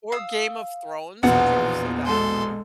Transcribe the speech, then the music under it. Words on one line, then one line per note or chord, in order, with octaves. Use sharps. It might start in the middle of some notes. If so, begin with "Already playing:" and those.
Or Game of Thrones? Did you ever see that?
F5 D#6 E6
A#1 E2 B2 F4 B4 F#5
G#3 A4 C6